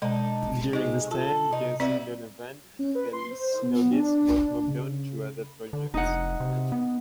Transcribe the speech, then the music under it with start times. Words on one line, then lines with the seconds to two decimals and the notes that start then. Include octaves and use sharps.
During this time, Jason Donovan and Felix Nobis both moved on to other projects.
0.02 B2 G#3 D4 D#4
0.73 C3 G#3 D#4
1.11 F4 A4
1.52 C3 D#4
1.80 G3 B3 C4 E4
2.79 C#4
2.95 B4
3.13 C6
3.30 C5
3.62 B3
3.91 D4
4.67 C#3
5.73 D3
5.94 F1 D#4 F#5
6.40 C3
6.72 B3